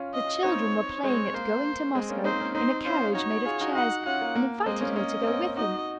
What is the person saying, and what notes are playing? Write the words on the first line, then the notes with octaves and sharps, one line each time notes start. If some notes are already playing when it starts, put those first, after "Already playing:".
The children were playing at "going to Moscow" in a carriage made of chairs and invited her to go with them.
Already playing: C#4 F4
D#5
C4 D#4 C#5
G#3 C4 C#5
A#3 C5
G#3 C4
A#3 C#4
C4 D#4 C5
A#3 C#4
C4 D#4 C5
C#4 F4 C5
D#4 F#4 C#5
F4 G#4
D#4 F#4
D#4 F#4 F#5
C#4 F4 F#5
A#3
A#3
G#3 C4 D#5
A#3 C#4
A#3 C#4 D#5
C4
A#3 C#4
D#4 F#4 D#5